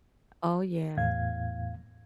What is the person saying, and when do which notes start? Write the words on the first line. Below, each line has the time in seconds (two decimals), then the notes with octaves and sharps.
Oh, yeah.
0.97 E2 A2 F5 G#6